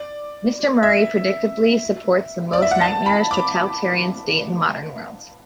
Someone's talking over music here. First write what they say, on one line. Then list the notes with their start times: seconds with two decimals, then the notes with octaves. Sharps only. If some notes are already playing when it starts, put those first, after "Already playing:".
Mr Murray predictably supports the most nightmarish totalitarian state in the modern world.
Already playing: D5
0.83 E5
2.53 D5
2.62 E5
2.71 F#5
2.81 A5
3.06 B5
3.31 D6